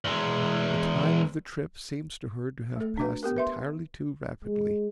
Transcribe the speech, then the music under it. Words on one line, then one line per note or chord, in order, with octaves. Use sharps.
The time of the trip seems to her to have passed entirely too rapidly.
E2 G#3
A3 A4
D4 F#4 B4
B3 G4 A#4
B4 E5 C6
G#3